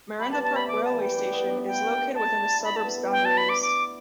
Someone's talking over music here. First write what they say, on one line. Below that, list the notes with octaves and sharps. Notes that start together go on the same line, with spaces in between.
Merinda Park railway station is located within the suburb's boundaries.
G3 B5
B3 A5
A3
G3 A5
A3 B5
E3 D6
G3 A5
E3
G3 G5
D4
D4
B3
D4
G5
E4
D4
E4
A5
D4 E4 B5
B3 A5
B3
D4 G5
B3 A5
D4 B5
D6
D6